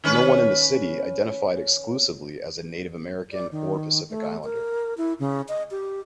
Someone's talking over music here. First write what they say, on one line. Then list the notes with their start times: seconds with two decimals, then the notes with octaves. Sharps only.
No one in the city identified exclusively as a Native American or Pacific Islander.
0.04 D#3 C#4 B4
3.32 D5
3.52 D#3
4.10 A3
4.44 A#4
4.98 E4
5.19 C#3
5.48 D#5
5.71 G4